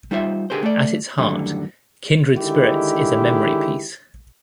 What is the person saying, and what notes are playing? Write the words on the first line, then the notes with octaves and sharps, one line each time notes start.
At its heart, "Kindred Spirits" is a memory piece.
G3 D#4 F4 C5 E5
D3 G4 G#4 A#4 C5
A3 A4 D5
F#2 A2 D3 D#3 F#3 G3
D3 D#3 G#3 E4 G4